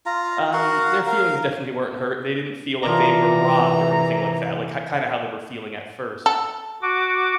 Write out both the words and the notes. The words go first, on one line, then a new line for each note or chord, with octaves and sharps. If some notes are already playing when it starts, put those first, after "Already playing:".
um, their feelings definitely weren't hurt, they didn't feel like they were robbed or anything like that, like, k kinda how they were feeling at first.
F4 A#5
F#4 A#4 F5 F#5
A#4 F5
C3 E3 F3 A#4 D5 A#5
A4
F#4 D6